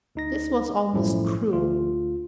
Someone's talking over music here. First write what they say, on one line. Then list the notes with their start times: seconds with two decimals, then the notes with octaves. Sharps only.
This was almost cruel.
0.15 D2 D#4 A#6
0.93 B1 F#2 A2 F3
1.53 D2 F4